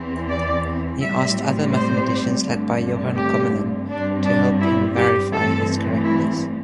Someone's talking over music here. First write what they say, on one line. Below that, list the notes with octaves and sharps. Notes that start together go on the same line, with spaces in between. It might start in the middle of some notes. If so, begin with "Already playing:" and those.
He asked other mathematicians led by Johan Commelin to help him verify its correctness.
Already playing: E2 E3 C4
D5
A2 G3 C4 E5
C5
G2 D3 A3 C4
G4
G2 G3 C4 D4
D4
E4
G4
G2 E3 A3 C4 A4
E4